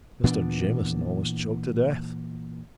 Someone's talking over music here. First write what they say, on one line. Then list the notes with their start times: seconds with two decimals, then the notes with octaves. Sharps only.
Mr. Jamieson almost choked to death.
0.24 A#2 E3 B3 D4